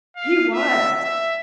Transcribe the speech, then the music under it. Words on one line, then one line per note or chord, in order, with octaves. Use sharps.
He was.
F5
E5
E5